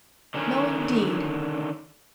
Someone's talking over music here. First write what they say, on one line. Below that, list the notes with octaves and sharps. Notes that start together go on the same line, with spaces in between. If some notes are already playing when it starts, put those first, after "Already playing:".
No, indeed!
D3 D#3 C#4